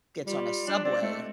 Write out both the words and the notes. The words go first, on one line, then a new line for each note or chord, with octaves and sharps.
gets on a subway
G3 F4
D4
C4 D5
G#3 A3